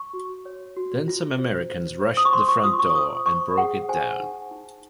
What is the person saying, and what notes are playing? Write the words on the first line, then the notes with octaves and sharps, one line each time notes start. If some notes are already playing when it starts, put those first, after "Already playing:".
Then some Americans rushed the front door, and broke it down.
Already playing: C#6
F#4
C#5
F#4
F4
C5
C5
C5
D#6
C#6
C5 C6
C#6
F4 D#6
C#6
C#6
C5 D#6
C5 C#6
G#4 F#5
C5 G#5
D#4
D#4